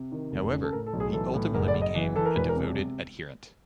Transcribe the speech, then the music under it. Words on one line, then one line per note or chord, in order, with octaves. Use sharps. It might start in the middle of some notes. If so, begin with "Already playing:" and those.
However, he ultimately became a devoted adherent.
Already playing: C3
D#3
F1
C#3
A4
A2 A#4
A4
B1
G#4
E3 A4
A2
F#1 A#4
D5
F#1
D#5
E3
E3 A4
A#4
E1 B4
A#4
C3